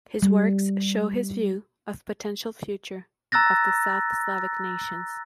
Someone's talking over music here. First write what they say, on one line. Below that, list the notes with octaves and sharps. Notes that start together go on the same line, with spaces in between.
His works show his view of potential future of the South Slavic nations.
G3
A#5 E6 F#6 A6 A#6